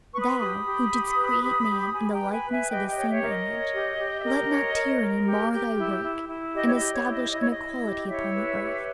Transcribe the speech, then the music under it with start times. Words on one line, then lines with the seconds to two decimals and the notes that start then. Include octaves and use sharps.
Thou, who didst create Man in the likeness of the same image, let not tyranny mar Thy work, and establish inequality upon the earth.
0.13 B4 C#6
0.20 B5 D#6
0.39 G4 B5 D#6
0.65 G4
0.91 G4
1.17 B4
1.42 G4
1.68 G4
1.93 G4 G#5 B5
2.12 G5 A#5
2.19 B4
2.32 G#5 B5
2.45 B4
2.51 E5 G#5
2.70 G4 D#5 G5
2.89 D#5 G5
2.96 C#5
3.09 C#5 E5
3.22 A#4 E5
3.28 D#5
3.47 C#5
3.73 G4
3.99 G4
4.19 E5
4.24 A#4 D#5
4.49 C#5
4.75 A#4
5.01 A#4
5.26 G4
5.52 G4
5.78 E4
6.04 E4
6.29 E4
6.55 G4 D#5
6.67 C#5
6.74 D#5
6.80 G4
6.93 C#5
7.06 E4
7.13 D#5
7.31 E4 D#5
7.41 C#5
7.50 D#5
7.57 E4
7.83 G4
8.08 E4 C#5 E5
8.34 B4
8.60 G4